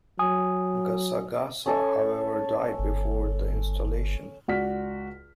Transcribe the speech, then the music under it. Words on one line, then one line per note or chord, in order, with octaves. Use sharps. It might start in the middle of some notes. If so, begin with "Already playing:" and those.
Gasagasa, however, died before the installation.
F#3 G#5 D#6
C#4 A4 G#5
G1
C#2 F#4 D5 F6 B6